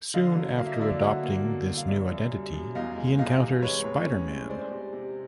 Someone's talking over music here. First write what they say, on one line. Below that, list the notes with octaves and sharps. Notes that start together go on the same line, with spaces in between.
Soon after adopting this new identity, he encounters Spider-Man.
D3 D#5 F5
F#3
A#3 F5
E5
D#5
D3 D5 E5
F#3 E5 F#5
A#3
B2
F#3
F5
F#2 D5 E5
F#2
G3
F#2
E2 D#5 F5
G#3
E2 D#5 F5
C3
G#3 B4 C#5
A2
C#4
G#3
G#3 C5 D5
C3
C3